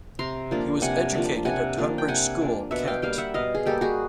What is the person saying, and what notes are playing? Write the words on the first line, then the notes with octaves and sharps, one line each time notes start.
He was educated at Tonbridge School, Kent.
C3 A#5 C6
F3 A#3 D4
C3 F#5 G#5
F3 A#3 D4
C3 F#5 G#5
F3 A#3 D4
G5
C3 F#5 G#5
F3 A#3 D4
B2 E5 F#5
F5 G5
G3 A#3 F5 G5
E5 F#5
B2 D#5 F5
G#4
G3 A#3 G4 A4
F#4 G#4